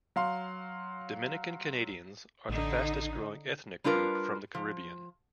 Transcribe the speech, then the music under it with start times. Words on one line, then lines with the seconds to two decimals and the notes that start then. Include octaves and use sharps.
Dominican Canadians are the fastest growing ethnic group from the Caribbean.
0.16 F#3 F5 C6
2.49 A1 D3 D#4
3.84 G3 D4 F4 A#4 B4
4.55 F3